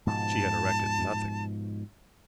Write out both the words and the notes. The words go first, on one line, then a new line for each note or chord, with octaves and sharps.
She had erected nothing.
G#2 B2 F3 A5